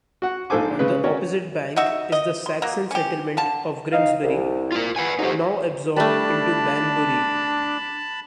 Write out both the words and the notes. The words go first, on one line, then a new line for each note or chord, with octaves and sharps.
On the opposite bank is the Saxon settlement of Grimsbury, now absorbed into Banbury.
F#4 F#5
A#1 G#2 A4 C5 G#5 D6
C#3 G#3 B4
C#4 F#4 A#4 C#5 D5
D#4 F#4 E5
D#5
C6
F#3 A#3
C#4 G4
D3 F5 A5
D#4 F5
C2
F4 A#4
B4 F#5 G#5
F2 G#2 F#3 D#4 G4
G3 A3 D4 A5 B5